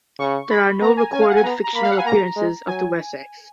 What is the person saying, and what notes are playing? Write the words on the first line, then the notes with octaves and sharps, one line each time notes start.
There are no recorded fictional appearances of the Wessex.
C#3 C#6
B5
B3 A#5
G#5
C#4 G#5
F5
F#5
G#5
B3 A#5
A#5
A#3 B5
F5
F#5
G#5
A#3 A#5
G#3
F#3 G#5